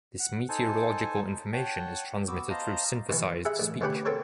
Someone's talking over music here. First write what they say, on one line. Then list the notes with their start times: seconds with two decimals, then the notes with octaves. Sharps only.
The meteorological information is transmitted through synthesized speech.
0.20 F#5
0.49 D#4 A4 C5 G#5 A5
1.53 C#5 F#5 G5 A5
2.28 B3 F#4 D6 E6
2.50 C5 D#5 F5 A5 A#5
3.09 B2 E3 B3
3.45 G#4 E5 F#5 B5
3.59 A1
3.81 D2 B3 C#4 G4 F#5 B5
4.05 B3 C4 A4 A#4 C#5